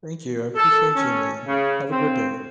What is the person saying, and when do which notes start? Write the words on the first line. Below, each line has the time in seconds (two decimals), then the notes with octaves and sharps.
Thank you, I appreciate you, ma'am. Have a good day.
0.56 A4
0.96 C#4
1.45 C#3
1.91 C4